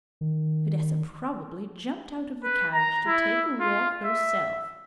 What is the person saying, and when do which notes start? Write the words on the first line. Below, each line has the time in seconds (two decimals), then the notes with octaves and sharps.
Fidessa probably jumped out of the carriage to take a walk herself.
0.21 D#3
2.43 B4
2.73 A#5
3.07 E4
3.60 F4
4.05 E5